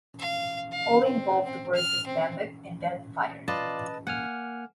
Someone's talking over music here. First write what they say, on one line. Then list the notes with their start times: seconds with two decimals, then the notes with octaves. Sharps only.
All involved were suspended and then fired.
0.19 F5
0.71 F5
1.04 C4
1.44 C4
1.74 F6
2.06 C4
3.48 F4 B4 D5 D#5 A5
4.07 A#3 F#5 G#5 F6